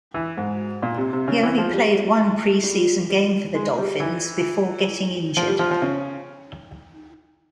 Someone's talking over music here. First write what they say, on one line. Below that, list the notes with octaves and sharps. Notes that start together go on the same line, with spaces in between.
He only played one preseason game for the Dolphins before getting injured.
E3
G#2
A#2
C3
C3
C#3
E3
F3
G3
G#3
G3
G3
G#3
G3
E3
F3
G3
F3
F3
C#3